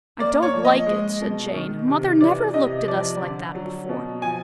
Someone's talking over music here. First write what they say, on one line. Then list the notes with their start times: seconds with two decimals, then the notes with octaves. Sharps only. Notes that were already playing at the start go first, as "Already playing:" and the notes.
'I don't like it,' said Jane. 'Mother never looked at us like that before.
0.20 A#3 D5
0.42 C#5
0.53 F3
0.65 D#5
0.87 G#3
1.21 B2
1.54 D#3
1.88 C3
2.21 E3 D5
2.54 C3 D#5
2.88 F3 D5
3.22 D3
3.55 F#3
3.89 B2
4.22 F3 G#5